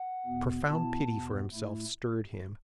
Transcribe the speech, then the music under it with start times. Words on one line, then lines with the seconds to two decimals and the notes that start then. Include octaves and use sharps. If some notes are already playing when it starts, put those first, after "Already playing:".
A profound pity for himself stirred him.
Already playing: F#5
0.25 E2 B2 B3
0.66 B2 B3 E4 A5
1.08 E2 B2 B3
1.51 A2 A3 E4